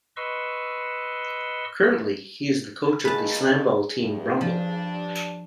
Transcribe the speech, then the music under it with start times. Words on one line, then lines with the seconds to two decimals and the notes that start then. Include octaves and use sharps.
Currently, he is the coach of the Slamball team Rumble.
0.17 B4 D#5 C6 C#6 E6
3.05 G2 A#2 D#3 G#4 B4 A5
3.98 E2 G2
4.41 G2 F3 D4